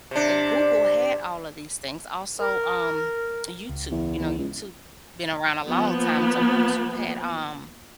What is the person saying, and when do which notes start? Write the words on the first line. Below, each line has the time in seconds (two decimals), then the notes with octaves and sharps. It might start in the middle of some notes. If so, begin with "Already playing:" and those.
uh, Google had all of these things. Also, um, YouTube, you know, YouTube been around a long time, so YouTube had, um,
0.11 C3 D4
2.39 A#4
3.69 C#2
3.91 E2
4.19 E2
4.38 C#2
5.66 F3 A#3 B3